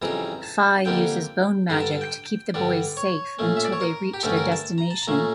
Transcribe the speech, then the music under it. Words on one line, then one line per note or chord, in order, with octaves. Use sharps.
Fie uses bone magic to keep the boys safe until they reach their destination.
F2 C#3 E3 G3 A#5
A5
F2 D3 G3 A#3 D4 G5
G2 D3 G3 D4 A#5
A5
A5
G5
G2 D3 G3 D4 D5
C#5
A#2 A3 C#4
E5
D5
C#5
A#4
G4
G2 D3 A3 C#4 A4
A#4
A5
A#5
A5
A#5
A#2 A3 C#4